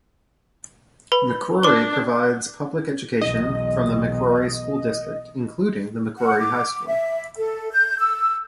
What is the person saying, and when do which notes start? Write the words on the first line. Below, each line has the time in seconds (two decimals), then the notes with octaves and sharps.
McCrory provides public education from the McCrory School District including the McCrory High School.
1.12 B4 B5
1.63 D4 D6 G7
3.21 B1 E2 D#5
6.18 F#5
6.39 D6
6.87 E5
7.38 A4
7.72 G6
7.99 E6